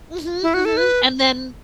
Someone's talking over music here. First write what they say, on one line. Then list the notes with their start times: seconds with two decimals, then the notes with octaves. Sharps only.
Mhm, mhm, and then
0.43 E4
0.54 F#4
0.65 A4
0.77 B4